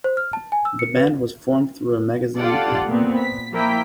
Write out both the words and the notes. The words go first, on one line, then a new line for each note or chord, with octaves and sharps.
The band was formed through a magazine ad.
C5
F6
A5
G#5
E6
C#7
B4
F4 G4 A4 D5 F#5
A#2 B3 C4
B6
F3 A#3 E4 G5 B6